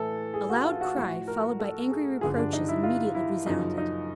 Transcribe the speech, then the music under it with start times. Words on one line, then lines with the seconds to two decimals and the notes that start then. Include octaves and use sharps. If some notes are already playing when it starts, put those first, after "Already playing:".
A loud cry, followed by angry reproaches, immediately resounded.
Already playing: A2 E3 A4
0.34 G#4
0.50 F#4
0.65 F4
0.81 F#4
0.96 A2 F3 F#4
1.28 A#4
1.60 A4
1.90 G#4
2.21 G2 D3 F3 G#4
2.38 D4
2.53 D#4
2.69 E4
2.83 F4
3.15 E4
3.46 F#2 C#3 F3 D#4
3.78 D#4